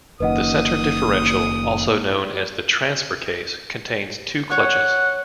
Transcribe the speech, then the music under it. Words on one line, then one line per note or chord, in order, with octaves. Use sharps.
The centre differential, also known as the transfer case, contains two clutches.
F#1 F#2 D#3 A#3 B4 D#5 F#5 D#6
C#5 F#5